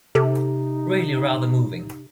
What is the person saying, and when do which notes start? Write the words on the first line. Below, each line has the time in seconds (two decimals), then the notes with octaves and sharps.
Really rather moving.
0.15 C3 D#4 G4 A4